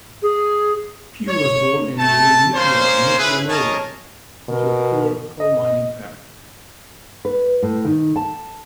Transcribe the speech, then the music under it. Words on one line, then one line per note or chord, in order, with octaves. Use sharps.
Pugh was born in Llwynypia, Mid Glamorgan, into a poor coal mining family.
G#4
C#5
A3 A5
A#3 C#4 C5
C#4 E4 G#4 B4
G#4 A#4 C#5 D#5 A5
B2 A#4
D#5
B4
A2
D#3
A5